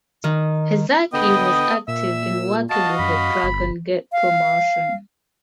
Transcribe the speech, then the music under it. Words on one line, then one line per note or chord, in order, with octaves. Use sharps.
Ezaki was active in working with the Dragon Gate promotion.
D#3
D3 B3 D#5 G5 D#6
A#2 E5 E6
F#4 D#5 F5 A5
F#2 B5
G1
F5